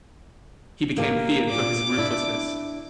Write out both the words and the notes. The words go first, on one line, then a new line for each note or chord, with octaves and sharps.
He became feared for his ruthlessness.
A#3 G4 A#4
A#2 D5 D6
D4 E4